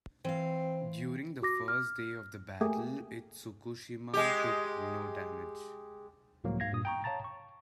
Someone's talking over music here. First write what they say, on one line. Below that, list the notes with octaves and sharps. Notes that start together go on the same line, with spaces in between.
During the first day of the battle, "Itsukushima" took no damage.
E3 C4 F5
F#4 D6 A#6
F6
A3 A#3 G4 G#4
G#3 G4
C#2 A2 F3 F#3 A#3
G#2 F5 G#6 A#6
G2 A#2 D#6
G5 A#5 C#6
C#5 F5 A5 A#5 A6
C#6